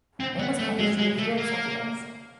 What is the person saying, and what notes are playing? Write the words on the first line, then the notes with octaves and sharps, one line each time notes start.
It was published weekly on Saturdays.
C4
B3
A3
G#3
G#3
A3
A#3